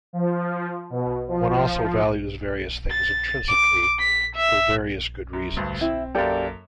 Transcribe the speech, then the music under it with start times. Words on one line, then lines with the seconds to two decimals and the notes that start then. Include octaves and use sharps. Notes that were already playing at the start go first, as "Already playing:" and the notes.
One also values various things intrinsically for various good reasons.
0.13 F3
0.90 B2
1.28 F3
2.90 A6
3.48 D6
3.99 B6
4.35 E5
5.33 F#2
5.57 D2 G2
5.81 C4 E4
6.15 F#2 A#3 G4 A4 D5